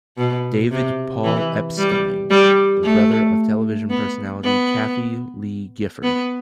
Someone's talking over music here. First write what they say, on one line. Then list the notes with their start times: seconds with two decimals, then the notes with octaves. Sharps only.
David Paul Epstein, the brother of television personality Kathie Lee Gifford.
0.17 B2
0.71 C3
1.24 E3
1.77 G3
2.30 G3
2.83 A3
3.90 B3
4.43 B3
6.03 B3